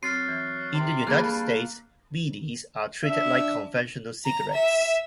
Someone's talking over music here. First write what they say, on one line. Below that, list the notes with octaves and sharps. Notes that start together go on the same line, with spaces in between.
In the United States, beedies are treated like conventional cigarettes.
F#3 C4 F6 A6 C7
E3
C3
G2 A#3 G#4 B5 F#6
D4 E5
A#5
E5